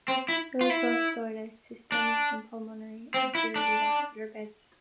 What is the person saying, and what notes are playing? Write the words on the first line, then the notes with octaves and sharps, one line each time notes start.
Iloprost dilates systemic and pulmonary arterial vascular beds.
C4
E4
F4
E4
D4
C4
E4
D4